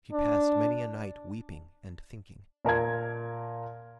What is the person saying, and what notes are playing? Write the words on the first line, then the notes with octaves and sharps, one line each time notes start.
She passed many a night weeping and thinking.
D4
A#2 A#4 A5 G#6